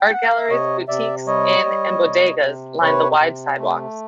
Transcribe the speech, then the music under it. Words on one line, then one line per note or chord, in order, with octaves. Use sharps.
Art galleries, boutiques, inns and Bodega's line the wide sidewalks.
G5
F#5
F5
E5
C3 C#5 D#5
C3 D5 E5
G3 C#5 D#5
G3
C3
C3
C3 B4 C#5
C3
A3